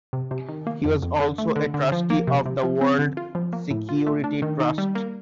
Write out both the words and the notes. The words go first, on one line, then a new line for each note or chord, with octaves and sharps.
He was also a trustee of the World Security Trust.
C3
C3
D#3
A#3
F2
F2
D3
A3
D3
D3
F3
A#3
C3
C3
F3
C4
D3
F4
F3
A#3
A2
F4
A3
D4
D#3
D#4
G3
A#3